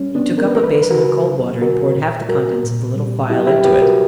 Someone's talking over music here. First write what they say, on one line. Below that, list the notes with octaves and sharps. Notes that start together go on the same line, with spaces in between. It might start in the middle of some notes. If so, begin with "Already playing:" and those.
He took up a basin of cold water, and poured half the contents of the little phial into it.
Already playing: G3 C#4
B3 D4
E3
A#4
B4
A#4
G3 B4
A#4
B4
C#3 F#4 A#4
F#3
D3 F#4 A#4
A#2
G3 F#4 A#4
A#2
G3
F#3 E4 G4
E4 G4
B2 G4 B4
F#4 A#4